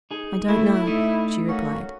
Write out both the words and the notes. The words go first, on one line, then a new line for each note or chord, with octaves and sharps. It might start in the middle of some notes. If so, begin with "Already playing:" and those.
"I don't know," she replied.
D#4 G#4
A3 E4
A3 D#4
A#3 C#4 F#4